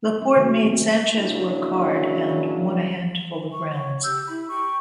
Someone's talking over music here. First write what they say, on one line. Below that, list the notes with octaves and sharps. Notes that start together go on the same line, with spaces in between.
Laporte made Sanchez work hard and won a handful of rounds.
C#4
C3 D#3 F#3 A3 A#3
F#3 B3 C4
A#2 C#3 F#3 C#4 D4 E4
C#6
C#5
G4 E6 G6
E4 B5
G4 C#6